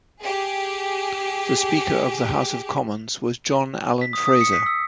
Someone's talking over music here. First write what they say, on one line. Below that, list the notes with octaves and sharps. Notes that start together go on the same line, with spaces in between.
The speaker of the House of Commons was John Allen Fraser.
G4 G#4
B6
D#6
D#6
C#7
B6
E6